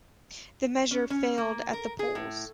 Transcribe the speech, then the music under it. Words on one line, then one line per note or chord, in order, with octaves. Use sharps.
The measure failed at the polls.
C#4
C#4
A#3
A#4
G#4
A2